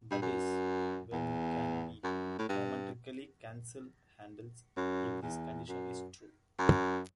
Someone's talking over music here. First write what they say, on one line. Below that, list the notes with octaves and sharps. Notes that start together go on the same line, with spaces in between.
That is, when can we geometrically cancel handles if this condition is true?
G2
F#2
E2
F#2
A2
G2
F#2
E2
F#2
F#2